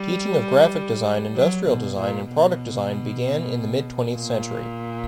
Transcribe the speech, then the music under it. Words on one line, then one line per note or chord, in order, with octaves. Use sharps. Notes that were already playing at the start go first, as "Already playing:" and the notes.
Teaching of graphic design, industrial design and product design began in the mid-twentieth century.
Already playing: G3
F#3
B2
A#2
B2
A#2